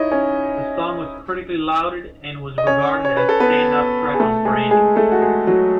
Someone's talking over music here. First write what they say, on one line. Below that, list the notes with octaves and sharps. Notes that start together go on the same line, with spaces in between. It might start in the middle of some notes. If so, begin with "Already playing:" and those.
The song was critically lauded, and was regarded as a standout track on "Brandy".
Already playing: D#4 E4 C#5 D#5
C#4 C#5
D#5
C#4 C#5
C#5
B4
A4
B3 B4
G#4
A3 A4
G#3 G#4
G#3 G#4
A3 A4
F#4
G#3 G#4
F#3 F#4